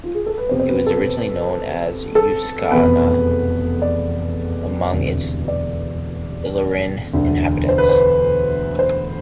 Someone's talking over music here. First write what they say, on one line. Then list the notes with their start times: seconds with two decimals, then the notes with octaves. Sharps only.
It was originally known as "Uskana" among its Illyrian inhabitants.
0.04 F4
0.15 G#4
0.26 A4
0.38 B4
0.49 F2 C3 F3 B3 C5
0.60 C5
0.69 B4
0.87 A4
2.15 A4
2.71 F1 E2 B2 B3 B4
3.82 D5
4.92 E1 D2 C3
5.48 D5
7.13 E1 D2 D3
7.69 C5
7.78 B4
7.89 C5
8.79 C5